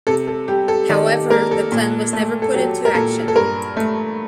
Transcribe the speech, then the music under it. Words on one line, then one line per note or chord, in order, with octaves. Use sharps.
However the plan was never put into action.
C3 A4
A4
G3 G4
A4
D#3 D5
A#3 A#4
A4
A#2
A3
A4
F#3 G4
A#4
A#2 A4
A4
G2 A#4
A3